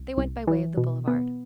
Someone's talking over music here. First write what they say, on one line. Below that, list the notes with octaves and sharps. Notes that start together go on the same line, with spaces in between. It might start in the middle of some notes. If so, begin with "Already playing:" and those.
They went by way of the boulevard.
Already playing: C2
C2
E3
B2
B3